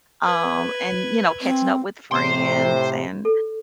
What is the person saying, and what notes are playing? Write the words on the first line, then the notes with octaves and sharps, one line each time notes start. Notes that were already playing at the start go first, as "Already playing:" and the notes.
Um, and, you know, catching up with friends and,
B4 G#6
C4
A2 C3 C5 C6
A4